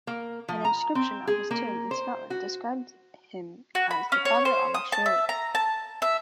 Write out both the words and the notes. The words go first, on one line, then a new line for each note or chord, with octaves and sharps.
An inscription on his tomb in Scotland describes him as "The Father of Australia".
A#3
F3
A#5
C4
G#4
A#3
C5
F#4
F#4
B5
C#4
C#5
C5
D#6
A5
E5
A#5
A5
E5